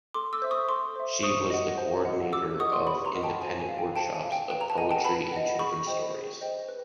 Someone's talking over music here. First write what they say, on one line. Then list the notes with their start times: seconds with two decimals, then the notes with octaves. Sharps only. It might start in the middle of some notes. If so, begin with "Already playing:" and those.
She was the coordinator of independent workshops of poetry and children stories.
0.14 A4 C6 D6
0.33 D6 E6
0.42 C5 E5
0.51 C#6 D#6
0.69 A4 C6 D6
0.96 C5 E5
1.23 C5 C#6 D#6
1.50 D#5 F#5
1.77 C5
2.05 D#5 F#5
2.33 G4 D6 E6
2.59 A#4 D#5 F#5 C#6 D#6
2.73 C6 D6
2.87 G4 B5 C#6
3.05 A#5 C6
3.15 A#4 D#5 F#5
3.23 G5 A5
3.41 C5 G#5
3.59 G#5
3.69 F5
3.78 G5
3.96 C5 G5 A5
4.15 G#5
4.23 F5
4.32 G5
4.50 B4 G5
4.61 A#5
4.70 A5
4.77 D#5 F#5 G#5
4.91 G5 A5
5.05 B4 A5 B5
5.32 D#5 F#5
5.59 G#4 B5 C#6
5.87 C5 D#5 G5
6.14 G#4
6.41 C5 D#5 G5
6.69 B4